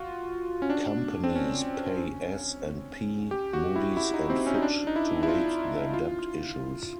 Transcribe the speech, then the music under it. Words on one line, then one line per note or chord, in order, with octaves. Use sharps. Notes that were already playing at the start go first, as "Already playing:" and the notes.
Companies pay S and P, Moody's and Fitch to rate their debt issues.
Already playing: F4 F#4
C#4
D4
C4
C#4
G4
F#4
E4
E4
D#4
C4
C#4
D#4
D4
D#4
E4
E4
F4
F4